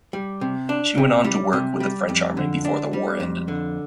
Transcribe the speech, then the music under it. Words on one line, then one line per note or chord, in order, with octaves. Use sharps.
She went on to work with the French army before the war ended.
G3
C3
D4
C3
G3
C3
G3
F2
D3
D4
G3
F2
D3